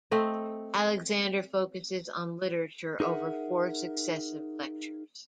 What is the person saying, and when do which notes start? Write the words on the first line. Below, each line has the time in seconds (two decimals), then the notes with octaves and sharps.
Alexander, focuses on literature over four successive lectures.
0.11 A3 C4 D#5
3.00 D#4 G#4 A#4 E5 F#5